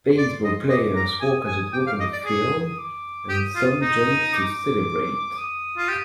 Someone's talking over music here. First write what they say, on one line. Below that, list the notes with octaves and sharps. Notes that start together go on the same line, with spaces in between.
Baseball players walk as a group on the field, and some jump to celebrate.
D5 C6
D#5
D#5 D6
A#5
G#5 D#6
G#5
G5 D6
F5
D#5
D5
G#4 D#6
D6
G4 D#6
F4
D#4 D#6
D6
D#6
F4
G4